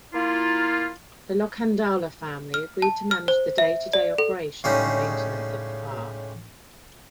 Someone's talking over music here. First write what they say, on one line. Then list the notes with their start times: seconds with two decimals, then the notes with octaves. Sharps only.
The Lokhandwala family agreed to manage the day-to-day operations and maintenance of the park.
0.13 A#3 E4 F4
2.54 F6
2.82 A5
3.11 F6
3.28 C5
3.58 E5
3.93 D5
4.18 A4
4.64 A2 C#3 G3 G#3 C#4 D#4